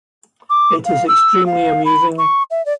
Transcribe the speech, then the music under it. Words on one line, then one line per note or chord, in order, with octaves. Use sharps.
It is extremely amusing.
D6
F5
E6
F5
B5
C#6
E5
D5